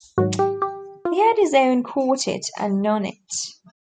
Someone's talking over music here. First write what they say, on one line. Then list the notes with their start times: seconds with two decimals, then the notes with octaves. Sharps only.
He had his own quartet and nonet.
0.18 G#2 D#3 F#3 F#4
0.39 G4
0.62 G4
1.05 F4